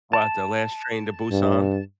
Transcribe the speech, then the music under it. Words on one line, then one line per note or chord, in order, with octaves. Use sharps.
What, the last Train to Busan?
A5
G2